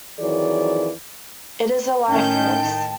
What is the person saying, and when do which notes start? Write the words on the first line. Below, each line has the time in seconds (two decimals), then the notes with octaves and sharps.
It is a life force.
0.20 F2 D#3 E3 F#3 G#4 D5
2.09 A2 D#3 C#4 G5 A5 G6